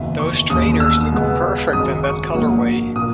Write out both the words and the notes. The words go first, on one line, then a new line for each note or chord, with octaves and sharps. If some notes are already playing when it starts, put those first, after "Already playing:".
Those trainers look perfect in that colorway!
Already playing: F#1 E2 D#3 E5
C#6
E1 D#2 C#3 D#6
E6
C#2 B2 G#3 B3
G#1 F#2 C#3 G#3 D#6
C#6
A#1 G#2 F#3 A#3
A#2 A#3 D#6